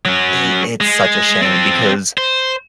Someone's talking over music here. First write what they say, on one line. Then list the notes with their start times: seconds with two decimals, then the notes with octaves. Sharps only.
It it’s such a shame because,
0.05 F#3 C#4
0.81 G#3
1.42 C4 A4
2.18 C5